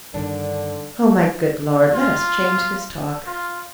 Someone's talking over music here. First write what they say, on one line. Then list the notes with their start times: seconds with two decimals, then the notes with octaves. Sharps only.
Oh, my good Lord! let us change this talk....'
0.14 G2 D3 D#3 D4
1.94 F4
3.26 F4